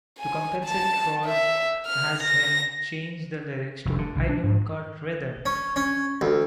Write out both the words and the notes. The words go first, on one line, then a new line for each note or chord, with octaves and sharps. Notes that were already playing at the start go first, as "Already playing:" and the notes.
To compensate Rowlf has him change the lyrics to "I don't got Rhythm".
G#5
A5
E5
F6
A#6
F1
D3
B1
D4
G#2
C#4
C#4
D2